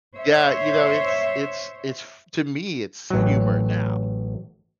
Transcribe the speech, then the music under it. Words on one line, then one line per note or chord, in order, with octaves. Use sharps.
Yeah, you know, it's it's it's to me, it's humor, now,
C5 C#5 E5
A1 F#3